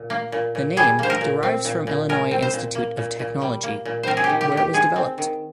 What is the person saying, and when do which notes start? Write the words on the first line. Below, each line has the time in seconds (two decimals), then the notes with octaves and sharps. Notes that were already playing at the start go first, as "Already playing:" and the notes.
The name derives from Illinois Institute of Technology, where it was developed.
Already playing: A#2
0.10 A#3
0.32 A#2
0.55 A#2
0.77 G3 G#4
0.99 A#3 C5
1.10 A#4
1.21 A#2
1.43 C4
1.65 A#2
1.87 A#2
2.09 G#3 A#4
2.31 C4
2.42 C5
2.53 A#2
2.75 A#3
2.97 A#2
3.19 A#2
3.42 G3
3.63 A#3
3.85 A#2
4.03 C4 A#4 C5
4.17 G#4
4.24 G4
4.30 D#3
4.41 G4
4.52 D#3
4.57 G4
4.74 G#3 G#4
4.96 C4
5.18 D#3